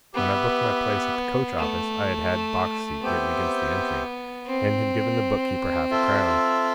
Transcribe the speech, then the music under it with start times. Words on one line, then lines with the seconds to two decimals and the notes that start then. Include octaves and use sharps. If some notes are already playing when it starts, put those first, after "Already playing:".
When I booked my place at the coach office I had had 'Box Seat' written against the entry, and had given the book-keeper half-a-crown.
0.14 B3 G4 B4 E5
1.57 A3
3.01 B3 C4 G4 C5 E5 G5
4.46 C4
5.91 F4 A4 E5